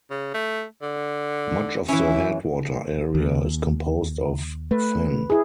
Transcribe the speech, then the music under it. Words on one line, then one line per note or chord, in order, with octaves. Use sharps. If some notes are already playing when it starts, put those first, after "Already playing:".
Much of the headwater area is composed of fen.
C#3
A3
D3
E3 C#4 E4
D#2
A3 B4
E4 G#4